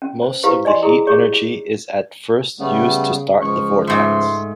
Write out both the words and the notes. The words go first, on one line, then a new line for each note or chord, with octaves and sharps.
Most of the heat energy is at first used to start the vortex.
C#4
C5
E4 F4 G4 B4 C5 F5
D5 D#5 G#5 C6
E4 G#4 A4 A#5
G4 G#4 C#5 D6
C#3 G3 A3 B3
C#2 F3 C#6
G#2 A3 C6